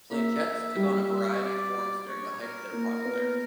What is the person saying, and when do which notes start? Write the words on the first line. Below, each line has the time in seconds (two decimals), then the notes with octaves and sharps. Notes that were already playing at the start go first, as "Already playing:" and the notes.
Planchettes took on a variety of forms during the height of their popularity.
0.11 A#3 E5
0.76 G3
1.31 C#5
1.42 D5
2.08 C#5
2.40 A#4
2.73 A#3
3.05 B3